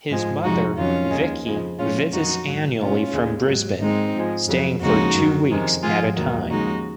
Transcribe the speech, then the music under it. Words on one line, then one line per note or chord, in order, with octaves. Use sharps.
His mother, Vicki, visits annually from Brisbane, staying for two weeks at a time.
G#2 F3 G#3
F2 C3 F3 G#3 D#4 F#4
F2 D#3 F#3 C#4 F4
D#2 D#3 G#3
F2 C#3 F3 G#3
A#2 F3 G#3 C#4 F4
F2 D#3 F#3 D#4 F#4
G#2 F#3
A#2 G#3 C#4 F4
D#2 C#3 G#3
G#2 F#3
G#2 D#3 G#3 C4 D#4
G#2 F3 G#3
F2 C#3 F#3
D#2 C#3 F3 G#3 D#4 F#4
F#2 D#3 F#3
F2 C3 D#3 G#3
G#2 F3 G#3 F4 G#4
D#2 D#3 F#3
D#2 C#3 F3 G#3 D#4 F#4